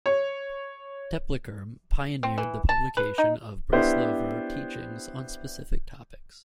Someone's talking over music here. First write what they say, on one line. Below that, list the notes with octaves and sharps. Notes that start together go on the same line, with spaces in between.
Tepliker pioneered the publication of Breslover teachings on specific topics.
C#5
C4
E3
A5
B4
D#4
B3 D4 E4 G4 C5